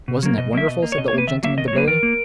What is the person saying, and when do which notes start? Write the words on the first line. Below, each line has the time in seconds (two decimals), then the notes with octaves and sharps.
"Wasn't it wonderful?" said the old gentleman to Billy.
0.08 B2
0.23 F#3 A#3
0.38 B2 D#5
0.53 F#3 A#3 E5
0.68 B2 D#5
0.83 A#3
0.92 C#5
0.98 B2 D#5
1.08 C#5
1.13 A#3
1.18 B4
1.28 D#3 E5
1.43 F#3 A#3 E5
1.58 D#3 D#5
1.68 C#5
1.73 F#3 A#3 B4
1.87 D#3 A#4
2.03 A#3